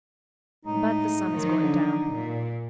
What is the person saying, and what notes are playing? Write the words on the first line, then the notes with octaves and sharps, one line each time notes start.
But the sun is going down.
A2 G#3 A3 D#4
D#3 F3 F#3
D3
A#2